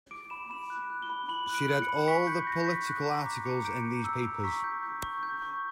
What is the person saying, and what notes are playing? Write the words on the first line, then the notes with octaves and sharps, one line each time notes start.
She read all the political articles in these papers.
D6 D7
B5 E7
B5 E7
F#6
F#6
G7
B5
B5 F#7
F#6
D7
F#6
C#7
B5
C#6 B6
G6
G6 A#6
C#6 B6
F#6
A#5
D6 B6
A#5 C#7
G6 D7
A#5
E6
A#5
C#6 B6
G6
G6
C#6
G6
C#6